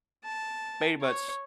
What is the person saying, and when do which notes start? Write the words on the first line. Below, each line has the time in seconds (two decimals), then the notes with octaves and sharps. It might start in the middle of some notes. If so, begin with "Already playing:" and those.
pretty much
0.24 A5
1.01 C#5